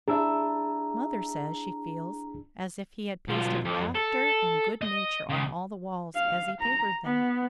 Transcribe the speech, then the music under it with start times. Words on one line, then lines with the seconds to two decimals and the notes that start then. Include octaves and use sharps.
Mother says she feels as if he had pasted laughter and good nature on all the walls as he papered them.
0.08 D4 E4 G#4 E5 A#5
3.28 B1 F4
3.65 F2
3.95 A4
4.82 D#5
5.29 C#2 C#3
6.15 F5
6.61 A#5
7.04 B3